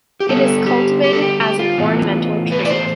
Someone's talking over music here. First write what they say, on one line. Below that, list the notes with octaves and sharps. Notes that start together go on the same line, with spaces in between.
It is cultivated as an ornamental tree.
G4
D3 G3 B3 A4
G4
G4
A4
G4
G4
F4
A2 E3 B3
B4
D5
C5